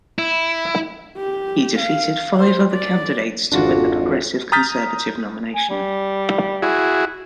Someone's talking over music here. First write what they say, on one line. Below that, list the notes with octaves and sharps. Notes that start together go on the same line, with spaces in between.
He defeated five other candidates to win the Progressive Conservative nomination.
E4
G4
F5
C5
D5
G#1 F2 D4 F4 F#4
A#5 D#6 F6 G6 A6 B6
G#5
G3
E4 F#4 G#4